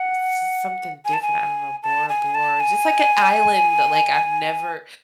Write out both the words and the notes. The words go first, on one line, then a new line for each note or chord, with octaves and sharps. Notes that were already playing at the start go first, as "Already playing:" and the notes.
s something different. I don't know, Bora Bora. Just like a island that, like, I've never
Already playing: F#5
G#5
A5
G#5
A5
G#5
A5
G#5